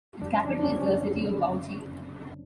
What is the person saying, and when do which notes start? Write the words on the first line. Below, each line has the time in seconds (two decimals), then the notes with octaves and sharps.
Its capital is the city of Bauchi.
0.21 F#1 D4
0.34 C#4
0.45 F2 D3 D4
0.56 D4
0.64 C#4
0.67 F#1 C4
0.79 C#4
0.91 F2 D3
1.15 F#1
1.39 D3